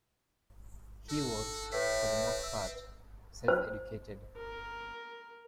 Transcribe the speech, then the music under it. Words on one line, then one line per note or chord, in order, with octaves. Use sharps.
He was, for the most part, self-educated.
F#4 A4
A2 C4 B4
E5
C5
A#4